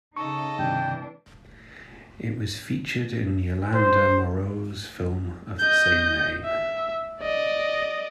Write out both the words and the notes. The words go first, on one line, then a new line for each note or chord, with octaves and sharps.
It was featured in Yolande Moreau's film of the same name.
C#3 D#4 A4 D#5 C#6
G2 C3 D#3 E3 D4 G5
C5
D#5 G6
E5
D5 D#5